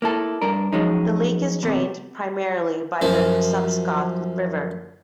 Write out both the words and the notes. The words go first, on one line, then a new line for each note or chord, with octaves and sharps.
The lake is drained primarily by the Presumpscot River.
A#3 E4 A4
G2 D4 A#4
F3 F#3 G#3 C#4 D#4
E2 C3
F#2 F3